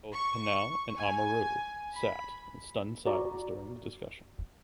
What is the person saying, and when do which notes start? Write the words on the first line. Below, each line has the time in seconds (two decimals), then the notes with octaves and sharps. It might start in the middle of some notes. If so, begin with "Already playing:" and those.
Both Pineau and Amoureux sat in stunned silence during the discussion.
0.15 C#6
0.95 G#5
1.95 B5
3.06 F#4 D5 A#5 D6